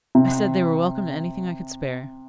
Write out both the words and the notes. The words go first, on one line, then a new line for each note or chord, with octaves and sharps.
I said they were welcome to anything I could spare.
C3